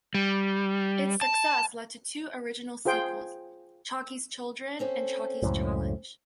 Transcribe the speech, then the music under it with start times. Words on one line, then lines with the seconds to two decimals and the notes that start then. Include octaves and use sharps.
Its success led to two original sequels: "Chocky's Children" and "Chocky's Challenge".
0.14 G3
1.21 A5
2.85 F4 G#4 C5 G5
4.79 C4 C#4 A4
5.42 C#2 F#2 A2